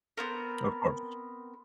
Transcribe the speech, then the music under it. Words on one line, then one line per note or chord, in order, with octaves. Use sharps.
Of course.
B3 C4 A#4